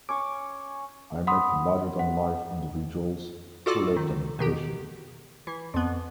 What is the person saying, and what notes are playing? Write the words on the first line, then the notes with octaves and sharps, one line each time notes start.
I met larger-than-life individuals who left an impression.
C#4 C#6 D6
F#5 B5 C6 D#6
F#5
F4 F#4 A4 D5 D6
D#3
B2 D#3 G4
E3
F2 B3